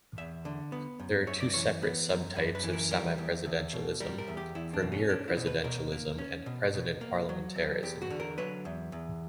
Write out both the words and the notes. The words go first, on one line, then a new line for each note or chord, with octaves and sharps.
There are two separate subtypes of semi-presidentialism: premier-presidentialism and president-parliamentarism.
E2 E5
D3
B3
F#2
F#2 C#5
D5
E3 C#5
B3
F#2
F#2 B4
B4
E3
A#4
G3 A#4
E2
E2
B2
G3 A#4
A#4
E2
G4
E2 E4
D4
B2
C#4
C#4 D4
E4
B2
B4
B2 A#4
A#3
C#4
B2
B2
A#3
F#3
E2
E2 G4
F#4
D3
A#4
F#3 B4
E2
E2